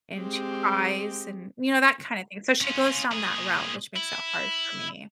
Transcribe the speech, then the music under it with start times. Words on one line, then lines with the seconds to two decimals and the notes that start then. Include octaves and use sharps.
and she cries and, you know, that kinda thing. So she goes down that route, which makes it hard for me.
0.17 G#3 C4 G4
2.61 C#4 F4
3.12 A#2 G#4
3.96 E4